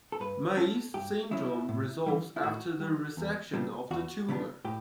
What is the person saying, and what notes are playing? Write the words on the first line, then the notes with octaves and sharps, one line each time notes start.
Meigs' syndrome resolves after the resection of the tumor.
A4
G2 B4
F#3 C#4 A4
G2 G4
F#3 C#4 E4
A2
E3 G3
E4
A2 F#4
E3 G3
E2
C#3 G3 B3 D4
E2 F#4
C#3 G3 B3 D4
A2 G4